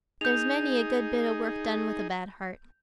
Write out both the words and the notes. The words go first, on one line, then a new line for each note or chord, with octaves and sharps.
There's many a good bit o' work done with a bad heart.
D#4 G#4 G6 F7